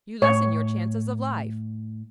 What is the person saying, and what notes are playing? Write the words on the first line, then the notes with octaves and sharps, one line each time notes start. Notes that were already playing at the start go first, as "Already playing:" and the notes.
You lessen your chances of life!
A2 C#5